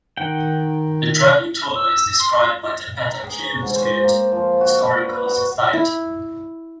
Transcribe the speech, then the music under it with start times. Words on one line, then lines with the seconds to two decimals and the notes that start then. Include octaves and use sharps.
A driving tour is described by the Pettaquamscutt Historical Society.
0.17 D#3 F#5 G5
1.76 E6
2.20 C6
3.08 A#5
3.24 G#4
3.39 C#5
3.62 G#2
3.76 C5
4.03 A#3
4.32 F3
4.61 F#4
4.75 D5
5.05 B4
5.26 F#4
5.73 E4